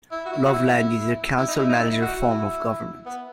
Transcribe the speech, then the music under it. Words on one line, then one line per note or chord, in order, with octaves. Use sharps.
Loveland uses a council-manager form of government.
E4
F#4
E4
F#4
E4
E4
D#4
E4
D#4
E4
F#4
E4
B3